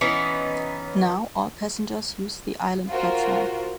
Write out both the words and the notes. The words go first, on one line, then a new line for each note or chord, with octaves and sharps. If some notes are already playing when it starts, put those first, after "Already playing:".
Now all passengers use the island platform.
E3 B3 C#4 D#4
F4 F#4 A#4 C5